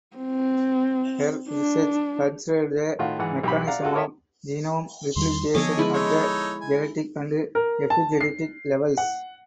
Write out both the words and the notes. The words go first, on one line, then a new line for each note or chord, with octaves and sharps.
Her research considered the mechanisms of genome replication at the genetic and epigenetic levels.
C4
D4
A2 D#3 F4 F#4
G#2 E3 F#5
B1 G4 B5
D5 F5 F#5 A#5
G#3 F4 F#4 A4
A4 A#4 C#5 D#5 E5
E2 D#3 G3 C6
D3 F3 B3 G#4 A4 C#5 D#5 D6
G#3 E4 B4
D#4 A4 C#5
G#5
A#4
A5
C7
F#5